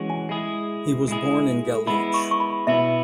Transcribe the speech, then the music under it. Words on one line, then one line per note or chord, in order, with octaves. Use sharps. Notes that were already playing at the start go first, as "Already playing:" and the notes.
He was born in Galich.
Already playing: E3 G#3 C#4 F#4
G#5
G#3 E4 G#4
G#3 E4 G#4
G#3 B3 E4 B5
C#6
C#6
B5
B2 B3 E4 E5